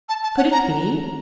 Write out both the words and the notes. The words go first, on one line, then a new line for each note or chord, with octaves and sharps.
Could it be?
A5
A5
F#5
A#5